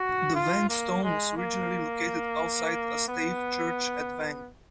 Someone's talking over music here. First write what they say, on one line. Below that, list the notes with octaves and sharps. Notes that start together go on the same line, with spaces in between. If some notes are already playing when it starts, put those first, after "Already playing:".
The Vang stone was originally located outside a stave church at Vang.
Already playing: F#4
F4
A#3
G#3
A#3
B3